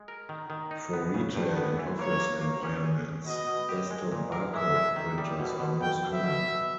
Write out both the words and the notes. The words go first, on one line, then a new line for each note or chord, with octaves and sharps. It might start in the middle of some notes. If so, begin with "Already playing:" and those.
For retail and office environments, desktop barcode printers are most common.
Already playing: G#3
A#4
D#3
D#3
D#4
B3
C#3
G2
B3
E3
A#3 C#5
A#3
A#3
C#4
G#4
C#4
B2 D#5
B2
G4
G#3
A#2
A#4
G#3 E5
G#3
D#3
G3
B2
B2
B2 G5
B2
E5
B2
B2